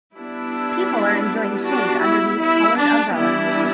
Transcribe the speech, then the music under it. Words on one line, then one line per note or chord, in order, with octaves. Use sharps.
People are enjoying shade underneath colored umbrellas.
G3 B3 D4 E4
D4 F#4
E4
E4
D4
E3 G3 B3 D4 E4